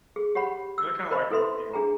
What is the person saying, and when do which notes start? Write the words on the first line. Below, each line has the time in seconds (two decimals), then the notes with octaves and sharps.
They're kinda like Garfield.
0.16 G#4
0.35 G4 C#5 F#5 B5
0.78 E6
1.11 A#4 C5 C#5 D#5 B5
1.30 E4 A4 B4 E5 C6
1.73 D4 G#4 G#5 A#5